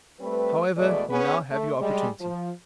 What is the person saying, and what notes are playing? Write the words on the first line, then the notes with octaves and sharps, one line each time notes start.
However, you now have your opportunity.'
G3 A3 C4 B4
E2 B2 G#3 A3 D5
B3 C#4 G#4 B4
A3
G3 G#3
F3